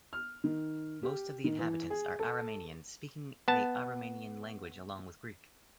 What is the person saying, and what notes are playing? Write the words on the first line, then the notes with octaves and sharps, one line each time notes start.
Most of the inhabitants are Aromanians, speaking the Aromanian language along with Greek.
F6
D#3
G4
D#3
E3
G#4
A4
B3 A5